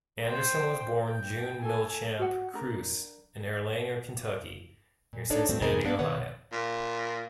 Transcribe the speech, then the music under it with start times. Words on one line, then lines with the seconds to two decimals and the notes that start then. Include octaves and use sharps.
Anderson was born June Millichamp Kruse in Erlanger, Kentucky, near Cincinnati, Ohio.
0.25 C5 G5
1.08 G5
1.61 A4 G#5
2.19 F#4 F#5
2.54 D4 A#4
5.13 A#2
5.30 D4 D#4 A4 C#5 D5
5.49 G2 F#3 A3 C4
5.62 F2 C3 B3 D#4 G#4 A#4
5.85 A#3 B3 D4 B4 D5
5.99 B2 D#3 B4 C#5 F#5
6.52 A#2